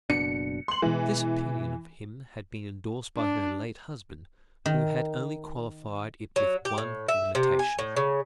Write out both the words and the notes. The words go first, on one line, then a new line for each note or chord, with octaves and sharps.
This opinion of him had been endorsed by her late husband, who had only qualified it with one limitation.
F#1 B2 D4 C#7
C6 F#7
B2 E3 G#3
D4
D#3
F#3
G4
A2
E5
C3
G#5
A2
C#3